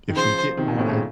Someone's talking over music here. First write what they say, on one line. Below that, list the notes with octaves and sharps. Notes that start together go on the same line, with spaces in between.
if we didn't wanna
D#3
C#3 F3 C5
C3 D#3
A#2
A2 C3
A#2 C#3